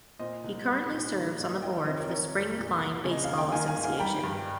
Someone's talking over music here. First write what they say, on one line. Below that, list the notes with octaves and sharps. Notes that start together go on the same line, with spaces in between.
He currently serves on the board for the Spring Klein Baseball Association.
A#2 C5 D#5
C2
G3
A#2
D#3
G#2
F3 D#5 G5
C3 C5 D#5
A#4 C#5
D#3 A#4 C#5
F2
A#2
C2
C#3
D#5
D#2 F5
G5
D#3 F5 G#5
F5 G#5
G#2
F5 G#5
G3 G5 A#5
G2